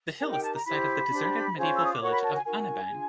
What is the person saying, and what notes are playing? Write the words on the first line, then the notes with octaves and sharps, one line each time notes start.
The hill is the site of the deserted medieval village of Anebein.
D#4 G4 A#4 G#5
G5
A5
A#5
E4 G4 C5 B5
D4 G4 C5
C#4 F4 G#4 C5
E6
D#6
D6
F#4 A#4 C#5 C#6
B5
A5
G#5
D#4 F#4 A#4 G#5
D4 F4 G#4